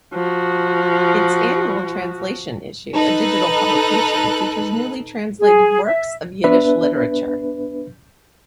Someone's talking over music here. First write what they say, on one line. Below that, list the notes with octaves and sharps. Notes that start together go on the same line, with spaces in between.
Its annual translation issue, a digital publication, features newly translated works of Yiddish literature.
F3 F#4
D#4 A4 B4 F#6
G#4
E5
B3 D4 B4 E5